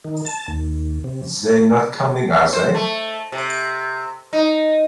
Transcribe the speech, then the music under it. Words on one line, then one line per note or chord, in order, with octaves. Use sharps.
They're not coming, are they?
D#3
A5
D#2
C3
C5
A3
C3
D#4